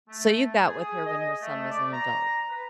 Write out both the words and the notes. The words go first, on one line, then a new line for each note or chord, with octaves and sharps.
so you got with her when her son was an adult.
A3
G#4
D#5
A3
D5
A#5
B4